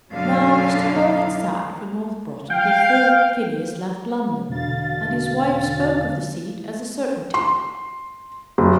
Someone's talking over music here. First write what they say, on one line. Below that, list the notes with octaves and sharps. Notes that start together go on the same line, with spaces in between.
Now Mr. Low had sat for North Broughton before Phineas left London, and his wife spoke of the seat as a certainty.
F#2 B2 D3 F#3 F5
F5 G5
E2 B2 D3 F5 A6
C6
F#1